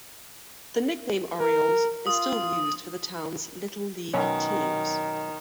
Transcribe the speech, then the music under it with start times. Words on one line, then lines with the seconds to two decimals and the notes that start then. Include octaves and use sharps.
The nickname "Orioles" is still used for the towns' little league teams.
1.39 A#4
2.07 F4 D#6
4.13 B2 D#3 F#3 C#4